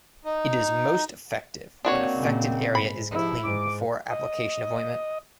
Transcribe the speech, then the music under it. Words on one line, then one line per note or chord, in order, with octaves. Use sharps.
It is most effective when affected area is cleaned before application of ointment.
D#4
D#3 A#3 C4 D4 F#4 C#5
A#2 C#3
G#2 B5
G#2 C3 F3 E4
G#2 D6
D#5